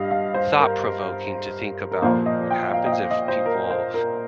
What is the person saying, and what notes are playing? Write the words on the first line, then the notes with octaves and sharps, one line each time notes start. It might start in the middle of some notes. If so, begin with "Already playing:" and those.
thought-provoking to think about what happens, if people,
Already playing: G2 G3 D#5 F5
F5
C5
A#4
A#4
A#2 F3 A#3 C5
D#5
G5
F5
D#5
F5
D#5
C5
A#4
C5
A#4